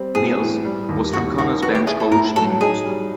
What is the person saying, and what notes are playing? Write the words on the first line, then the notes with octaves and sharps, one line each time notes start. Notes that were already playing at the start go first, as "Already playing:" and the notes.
Mills was Francona's bench coach in Boston.
Already playing: G3 C4
A2 G#4
E3
G3
D#2
D#2 F#4
D#3 F#4
B3 F#4
G4
E4 G#4
A4
A2 A#4
F#3 A4
D#4 G#4
G3